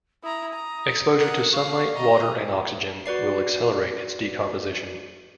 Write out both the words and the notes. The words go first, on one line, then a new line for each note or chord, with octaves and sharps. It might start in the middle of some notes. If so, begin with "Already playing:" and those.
Exposure to sunlight, water and oxygen will accelerate its decomposition.
E4 A#5 D#6
A#5
A#4 F#5
F5 C#6
D#5 A#5
F#4 B4 D5 C7